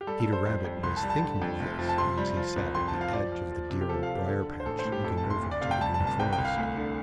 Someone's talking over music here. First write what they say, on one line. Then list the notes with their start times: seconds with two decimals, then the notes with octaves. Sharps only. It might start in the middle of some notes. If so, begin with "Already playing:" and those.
Peter Rabbit was thinking of this as he sat at the edge of the dear Old Briar-patch, looking over to the Green Forest.
0.01 G4
0.07 G3 A4
0.20 A4
0.26 G3
0.33 C5
0.45 F2 C5
0.64 F2
0.83 C2 C6
0.97 A5
1.03 G3
1.10 A5
1.22 D3
1.41 F2
1.60 F1
1.79 F3
1.89 A5
1.98 C3 C6
2.17 G3
2.37 F3
2.56 C2
2.75 F2 C6
2.88 A5
2.94 F3
3.01 F5
3.13 F3 D5
3.32 F3
3.52 F3
3.70 C3
3.81 G4
3.89 F3 A4
4.03 F5
4.09 F3
4.15 G4
4.28 D3 A4
4.47 D3
4.60 C5
4.66 A1 A4
4.79 C5
4.85 A2
4.92 G4
5.04 F2 A4
5.17 A5
5.24 F1
5.30 C6
5.43 D2
5.51 D5
5.61 C3 F5
5.71 G5
5.81 G3 A5
5.94 A5
6.00 G1
6.07 A5
6.19 C2 G5
6.33 G5
6.38 C2
6.45 F5
6.58 D2
6.77 D3